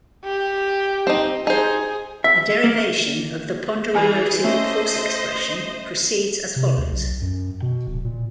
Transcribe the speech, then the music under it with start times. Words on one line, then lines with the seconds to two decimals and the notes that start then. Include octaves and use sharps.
The derivation of the ponderomotive force expression proceeds as follows.
0.25 G4
1.07 C4 D#4
1.47 D#4 G#4 C5
2.24 E5
2.64 A#3
3.94 E3 E4 G#4 G#5 B5
4.44 A3 C#4 C5 D#5 E5
6.56 C3
6.77 D2
6.92 B1
7.22 F#2
7.62 B2
7.87 D1
8.05 A#2